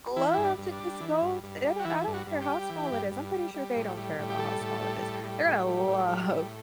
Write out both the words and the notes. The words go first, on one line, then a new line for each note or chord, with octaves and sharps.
Love to just go t they don't I don't care how small it is. I'm pretty sure they don't care about how small it is. They're gonna love
E3 E4
G2 E4
D4
G2
D4
G3
E3
G2
G2
G3
F#4
E3 E4
G2
F#4
G2
G4
G3
E3
G2
G2
G3
G3
A2
G3
A2
G4
G3 A4
A2
G3
A2
G3
A2
G3
A2
G3
A2